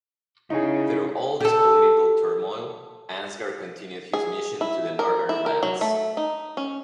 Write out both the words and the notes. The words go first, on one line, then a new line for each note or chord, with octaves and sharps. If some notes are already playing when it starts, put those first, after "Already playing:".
Through all this political turmoil, Ansgar continued his mission to the northern lands.
C#3 D#4 E4 G#4
G4 A4
G#4
E4
A#4
E4
A#4
F#3
A3
D#4
C#4